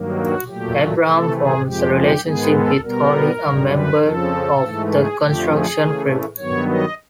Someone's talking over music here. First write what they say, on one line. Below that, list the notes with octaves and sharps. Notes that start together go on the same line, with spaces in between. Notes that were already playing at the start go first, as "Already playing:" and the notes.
Abraham forms a relationship with Holly, a member of the construction crew.
Already playing: G2 D#3 F#3 A#3
F#4
A#2 F#3 A3 G4
C3 E3 A3 A4
G#4
F2 C3 F3 G#3 G4
G4
G#2 D#3 G#3 B3 G#4
A4
B2 G3 B3 A#4
F#2 D3 G3
B4
F2 C#3 F3 A4
G#2 E3 A3
G#4
F2 D3 F3 A3 G4
G#4
C#3 E3 A3
G2 D#3 F#3 B3 C#5
D#5